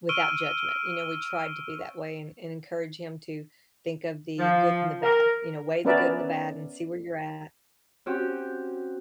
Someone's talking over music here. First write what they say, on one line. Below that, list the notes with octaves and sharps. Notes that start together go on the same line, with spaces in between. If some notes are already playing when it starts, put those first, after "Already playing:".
without judgment, you know, we try to be that way and and encourage him to think of the good and the bad, you know, "weigh the good and the bad and see where you're at
C#6 E6 F6 D7 D#7 G7
F3
A#4
B3 C#4 A#4 B4 D5 E5
C4 C#4 F#4 G4